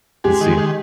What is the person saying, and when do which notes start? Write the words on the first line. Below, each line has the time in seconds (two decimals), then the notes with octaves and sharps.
I'll see ya.
0.24 G#3 G4
0.41 D#3
0.58 D#3